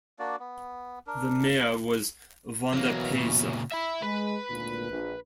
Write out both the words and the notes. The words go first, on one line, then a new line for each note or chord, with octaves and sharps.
The mayor was Vondapeysa.
A#3 D4 F#4 D5
B3
D4 A#4
B2 E3 F#3 A#3
A#2 C#3
E5 B5
G#3 B4
G#1 D2 A#2
A#1